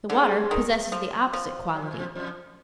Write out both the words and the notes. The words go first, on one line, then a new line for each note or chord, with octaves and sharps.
The water possesses the opposite quality.
G#2 D3 G#3
D#3
F3
F3
F#3
F3
E3
F2 F3
F2 F3